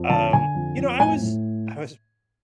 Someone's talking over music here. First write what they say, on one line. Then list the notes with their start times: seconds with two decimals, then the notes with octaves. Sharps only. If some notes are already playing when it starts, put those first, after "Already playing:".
um You know, I was I was
Already playing: F2
0.10 D3 A5
0.33 D3 G#5
0.55 F2
0.78 F2
0.99 A2 G#5
1.22 A2